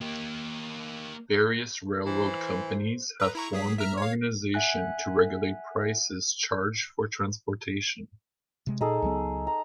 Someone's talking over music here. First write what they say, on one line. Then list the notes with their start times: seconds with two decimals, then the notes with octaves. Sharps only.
Various railroad companies had formed an organization to regulate prices charged for transportation.
0.01 A#3 G4
2.06 E3 C5
3.20 B4 A#5
3.35 E4 A#5 C#6
3.53 F#3 G#4 B6
3.78 E5 A#5 F6
3.98 C#5 F5
4.54 E5 F#5 G#5 F#6
8.67 C3 G#3
8.81 A#2 D#4 G#4 A4
9.02 C#2 F#3 B3
9.47 A#5